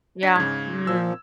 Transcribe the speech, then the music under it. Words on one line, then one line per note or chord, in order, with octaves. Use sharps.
Yeah. Mm.
D4 B6
G#2 C#3 G#6
A#2 F3 E6